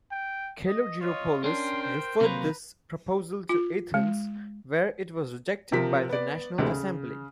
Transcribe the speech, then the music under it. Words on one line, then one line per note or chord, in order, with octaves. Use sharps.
Kalogeropoulos referred this proposal to Athens, where it was rejected by the National Assembly.
G5
D#5
F4 C#5 D#5
C#4 D4 A#4 G5 C6
C5
C3 F#3 A#3 B4 A#5
F4
G#3
C3 F3 A#4 B6
B3 D5
D2 G#2 C3 E3 G#3
C#3